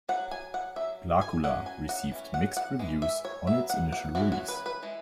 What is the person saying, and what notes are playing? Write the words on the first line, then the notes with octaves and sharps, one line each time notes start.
"Blacula" received mixed reviews on its initial release.
C#4 F#5
F#3
G#5
F#5
C#4 E5
F#3
G#5
F#3 C#4 F#5
G#5
F#5
E3 C#4
F#5
F#5
E3 G#3
E5
C#5
F#3 B3 E5
F#5
F#5
E3 G#3 C#4 F#4
F#4
B4
B4
E3 G#3